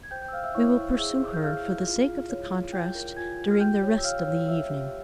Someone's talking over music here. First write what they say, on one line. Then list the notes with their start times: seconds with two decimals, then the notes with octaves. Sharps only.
We will pursue her for the sake of the contrast during the rest of the evening.
0.03 G#6
0.11 C5 G5 G6
0.22 G5 G6
0.28 E6
0.32 C5 F5 F6
0.44 E5 E6
0.55 E4 C#5 C#6
0.77 E4
0.98 G#4 E5 E6
1.20 G#4
1.33 G6
1.43 G#4 F5 F6
1.64 E4
1.86 F4
2.08 F4
2.30 C#5
2.52 F4
2.73 F4 G5 G6
2.95 A#4
3.16 F4 G#5 G#6
3.39 F4
3.51 F6
3.60 G4 G5 G6
3.82 C#5
3.98 E6
4.04 C#5 F5 F6
4.27 C#5
4.48 C#5 E5 E6
4.70 G4